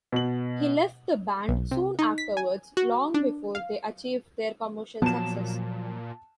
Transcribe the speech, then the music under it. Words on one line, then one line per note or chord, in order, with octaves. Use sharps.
He left the band soon afterwards, long before they achieved their commercial success.
B2 F#7
B1
C3
D#4
B6
G#5
F#4
D4
F5
A#2 F3 F#3 B3 A5 E7